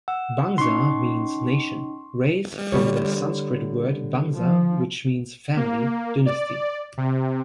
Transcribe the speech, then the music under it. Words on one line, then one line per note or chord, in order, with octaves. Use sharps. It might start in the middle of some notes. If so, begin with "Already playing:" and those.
"Bangsa" means "nation", "race", from the Sanskrit word "vamsa" which means "family", "dynasty".
F#5 E6
C#4 D#4 C6 C#6
D3 G3 C#5
F3
A#3
D5
C3